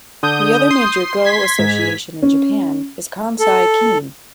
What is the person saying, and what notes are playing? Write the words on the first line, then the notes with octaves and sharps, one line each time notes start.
The other major Go association in Japan is Kansai Ki-in.
D3 D#6 G6
C6
G#6 B6
G#2
C#4
A4